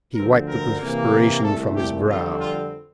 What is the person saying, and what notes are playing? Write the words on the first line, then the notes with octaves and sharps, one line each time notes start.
He wiped the perspiration from his brow.
D2 D3 F3 C4 A#4
A#4
C3 E3 A#3
C2 A#2 A3 A4
G4
F2 D3 G3 C4 F4
F4